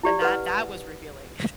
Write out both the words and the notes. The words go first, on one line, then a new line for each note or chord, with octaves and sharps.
And that that was revealing.
E4 G4 D5
B4 F#5